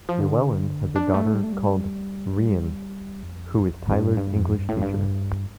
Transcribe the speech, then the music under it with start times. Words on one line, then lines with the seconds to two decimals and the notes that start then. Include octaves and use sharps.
Llewellyn has a daughter called Rhian, who is Tyler's English teacher.
0.09 F3
0.21 D3
0.96 D4
1.14 A3
1.34 G3
1.43 A3
1.53 G3
3.23 F2
3.91 F2
3.98 G2
4.17 G2
4.36 F2
4.55 G2
4.69 A2
4.82 G2